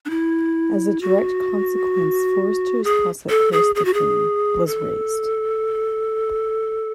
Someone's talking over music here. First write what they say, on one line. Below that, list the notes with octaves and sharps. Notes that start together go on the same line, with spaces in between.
As a direct consequence Forrester's house at Corstorphine was razed.
D4
E4
F#4
G#4
A4
G#4
G#4
F#4
G#4
A4